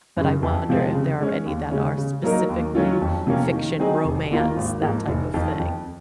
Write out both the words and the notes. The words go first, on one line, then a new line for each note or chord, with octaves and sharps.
but I wonder if there are any that are specifically fiction romance, that type of thing.
F#2 C#3
F2
C3 F3 G#3 C4
C#3
G#3 C#4
D#2
C#3 G#3 C#4
C#3
F#3 A#3 D#4 A#4
D#2
D#3 F#3 C#4 F4
F2
C3 F3 A#3 C#4
D#3
F#3 C4 D#4 G#4
F1
D#2 D#3 A#3 F4
G#1
G#2 F3 A#3
F1
F2 D#3
F2